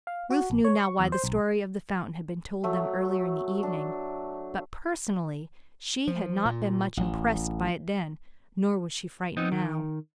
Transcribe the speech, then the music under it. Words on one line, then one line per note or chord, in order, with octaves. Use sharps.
Ruth knew now why the story of the fountain had been told them earlier in the evening, but personally she had not been much impressed by it then, nor was she frightened now.
F5
F#4
A#1
C#5
C#6
E2
C5
B1
F#3 A3
D4
F3
A#2
A1
B3 C4 D#4
D#3